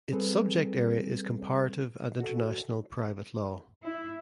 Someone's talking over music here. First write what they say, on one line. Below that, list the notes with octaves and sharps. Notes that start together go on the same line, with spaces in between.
Its subject area is comparative and international private law.
G3 C4 G#4 A4 B4
F#4 A4
E4